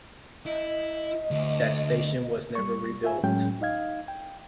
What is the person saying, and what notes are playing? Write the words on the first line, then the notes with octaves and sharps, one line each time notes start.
That station was never rebuilt.
E4 D#5
D2
G3 C#6
F4 E5 G#5
A2 F#3 G#3 C#4 G5
D#4 D#5 F5 G#6
G5